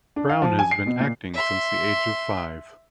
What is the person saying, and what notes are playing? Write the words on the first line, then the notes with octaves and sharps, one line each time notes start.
Brown has been acting since the age of five.
D4
F5
F3
G#5
C7
B2
A#2
E5 C6